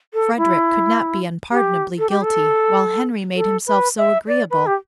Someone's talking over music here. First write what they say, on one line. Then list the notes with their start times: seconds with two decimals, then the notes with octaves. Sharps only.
Frederick could not be unpardonably guilty, while Henry made himself so agreeable.
0.14 A4
0.37 E4
1.52 G4
1.99 A4
2.10 G4
2.22 A4
3.36 A4
3.67 B4
3.97 E5
4.28 D5
4.51 B4
4.66 G4